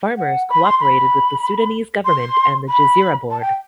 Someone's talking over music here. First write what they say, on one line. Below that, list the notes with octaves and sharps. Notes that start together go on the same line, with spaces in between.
Farmers cooperated with the Sudanese government and the Gezira Board.
F#5
B5
C6
B5
C6
B5
A5
G5